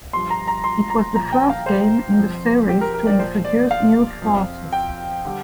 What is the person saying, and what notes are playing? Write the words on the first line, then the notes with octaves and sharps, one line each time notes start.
It was the first game in the series to introduce new Forces.
G2 F3 C6
A#5
A#5
C6
A#5
A#2 F3 A#5
G5
F5
C5
F2 F3
G4
A#4
A#4
D5
A#2 F3 C5
D5
F5
F2 F3
G5
D3 G3